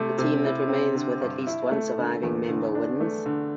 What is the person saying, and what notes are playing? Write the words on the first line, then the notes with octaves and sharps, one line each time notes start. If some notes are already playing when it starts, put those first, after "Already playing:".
The team that remains with at least one surviving member wins.
Already playing: C3 A3 E4
C3
E4
C4
D3
G2
E4
A3
D3
E2
D3
D4
A3
D3